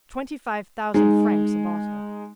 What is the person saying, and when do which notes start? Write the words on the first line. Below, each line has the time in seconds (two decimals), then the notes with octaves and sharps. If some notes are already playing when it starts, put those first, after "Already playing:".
"Twenty-five thousand francs a bottle."
0.94 G#3 D#4